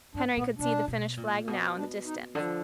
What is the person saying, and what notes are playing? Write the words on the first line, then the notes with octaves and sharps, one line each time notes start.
Henry could see the finish-flag now in the distance.
G#2 D4
A#2 B3
B2 D4
B2
A#2
B2 B3
D4
D#4
D3 F3